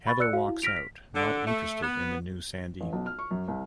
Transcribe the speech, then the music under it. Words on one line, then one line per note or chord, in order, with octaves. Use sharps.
Heather walks out, not interested in the new Sandy.
B5 C#6 A6
D5 E6 F#6 C#7
F#4 F5
E4
F6 A#6 B6 D7 F7
B6
D3
A3
B3
A1
B1
F6
C#6
F#2
C2